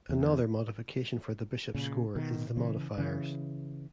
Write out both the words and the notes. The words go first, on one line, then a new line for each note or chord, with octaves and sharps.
Another modification for the Bishop's score is the modifiers.
E2
A#2 C#3
B2 D#3
C#3 E3
C#3 E3